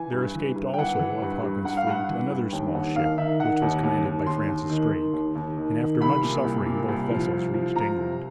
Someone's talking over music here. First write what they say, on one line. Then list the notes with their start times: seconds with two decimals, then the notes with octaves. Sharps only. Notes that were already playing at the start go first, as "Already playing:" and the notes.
There escaped, also, of Hawkins's fleet another small ship, which was commanded by Francis Drake; and after much suffering both vessels reached England.
Already playing: E3 G#5
0.13 G2
0.35 E3
0.56 G2
0.74 G5
0.78 E3 F#5
0.99 E3
1.22 G2
1.43 G2
1.65 G2 F#5
1.77 F5
1.87 G2 F#5
2.09 E3
2.31 G2
2.52 D#2 G5
2.74 D#2 F#5
2.96 D#3 F5
3.18 D#3 E5
3.39 D#3 F#5
3.62 D#2
3.83 D#2
4.05 D#2
4.26 D#2 C6
4.49 D#2
4.70 D#3
4.92 D#3
5.13 D#2
5.35 D#2
5.57 D#3
5.80 D#3
6.01 C2 B5
6.23 A#2
6.44 C2
6.66 A#2
6.88 C2
7.10 F3
7.32 C2
7.54 F3
7.75 F3 A#5
7.97 C2